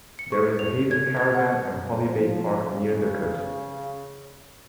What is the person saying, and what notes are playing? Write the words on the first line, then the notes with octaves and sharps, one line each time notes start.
There is a Haven caravan and holiday park near the coast.
C#7
C#6
F7
G#6
G#6
F#5
F3
C#3